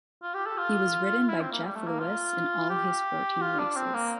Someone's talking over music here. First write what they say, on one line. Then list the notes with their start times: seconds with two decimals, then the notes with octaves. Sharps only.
He was ridden by Geoff Lewis in all his fourteen races.
0.22 F4
0.34 G4
0.46 A4
0.58 F4
1.29 E4
1.41 C4
1.52 A#3
1.64 G3
1.76 A3
1.88 A#3
1.99 F4
2.70 G4
3.41 F4
3.59 D4
3.76 C4
3.94 A#3